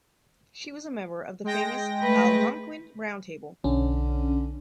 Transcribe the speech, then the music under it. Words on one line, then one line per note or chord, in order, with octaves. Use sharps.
She was a member of the famous Algonquin Round Table.
G#3 G5 A#6
A3 B4
B1 D3 C#4